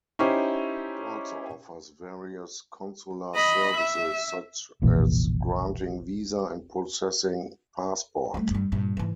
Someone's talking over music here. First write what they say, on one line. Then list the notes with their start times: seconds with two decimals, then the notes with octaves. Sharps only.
It also offers various consular services, such as granting visa and processing passport.
0.19 C#4 D#4 E4 G4 C5
3.35 D#5 B5
3.77 E5
4.82 F1 B1 A#2 E3
8.34 G3 A3
8.50 G2 G3
8.72 G2 A#2
8.97 G#2 E3